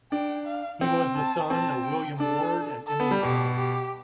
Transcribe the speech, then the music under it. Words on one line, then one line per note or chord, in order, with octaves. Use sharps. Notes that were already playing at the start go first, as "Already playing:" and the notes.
He was the son of William Ward and Emily Combe.
D4 G5
F5
C4 G5
A5
C4 A5
G5
D4 A4
A4
B3
G3
B2 G4
G4